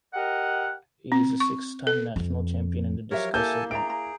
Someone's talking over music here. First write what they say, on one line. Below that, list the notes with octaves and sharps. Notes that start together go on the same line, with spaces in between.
He is a six-time national champion in the discus event.
G4 A#4 D#5 F#5
C4
C#6
A4
F2
F3 F#3 G4 A#4 C#5 E5
A#3 E4 A4 F5 G#5 A5 G6
D4 G#4 E5 A#5 D7
A#5